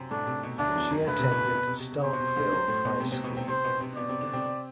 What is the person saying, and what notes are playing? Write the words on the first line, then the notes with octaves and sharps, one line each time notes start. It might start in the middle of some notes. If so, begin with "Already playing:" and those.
She attended Starkville High School.
Already playing: F#2 C3 F#3 C4
A2 A3 D4
C3
B2
D2 D3 D4
F#3
E2 E3
F#2 F#3
D2 D3 B4
C3
B2
C3
B2
C3
C3
C3
C3 C5
B2
C3
D2 D3
F#2 F#3
A2 A3
B2 B3
C3 C4
C3 C4
B2 B3
C3 C4
C3 C4 C5
B2 B3
C3 C4
B2 B3 D5
C3 C4
D3 D4
C3 C4